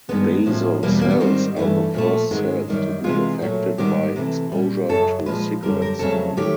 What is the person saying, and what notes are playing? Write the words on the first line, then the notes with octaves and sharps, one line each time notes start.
Basal cells are the first cells to be affected by exposure to cigarette smoke.
G2 D#3 G#3 B3
A2 F3 G#3
E2 B2 G3 A#3
A#3
B3
G#2 D#3 G3 C4
G2 E3 A3
A#2 F3 A3
G#2 D#3 G#3
F#2 D#3 G3
C3 E3 G#3 F4
A#2 F#3 A3
G#2 D#3 G3 G4
C3 E3 A3
A#2 G3
F#2 C#3 F#3 A4
A#2 F3 G#3 B4
F#2 D3 G3 A#4
A#4
F2 C#3 F#3 A3 A4
D#3 F#3 A3 G4